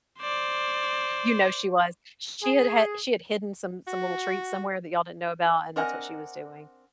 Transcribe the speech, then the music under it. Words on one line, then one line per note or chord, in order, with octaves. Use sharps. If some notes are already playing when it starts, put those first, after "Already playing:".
you know she was. Sh she had had she had hidden some some little treats somewhere that y'all didn't know about, and that's what she was doing.
C5 D5
G#4
F#4
C4 D4 A#4 D#5 F#5 G#5